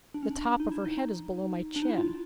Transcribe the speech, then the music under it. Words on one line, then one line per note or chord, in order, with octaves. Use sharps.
"The top of her head is below my chin."
D4
C#4
D4
D#4
E4
D#4
D4
D#4
E4
F4